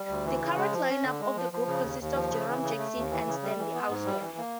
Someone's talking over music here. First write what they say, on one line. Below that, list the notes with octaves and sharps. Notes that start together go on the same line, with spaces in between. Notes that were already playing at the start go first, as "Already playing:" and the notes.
The current line-up of the group consists of Jerome Jackson, and Stanley Alston.
Already playing: G3
D2
E3
C#3
G#3
F3
C#4
D3
G#3
F3
F3
C#3
D#2
D#2
F3
C#3
E3
C#3
A3
D#2
E3
C#3
G3
E3
B3
G#2
G3
E3
A#3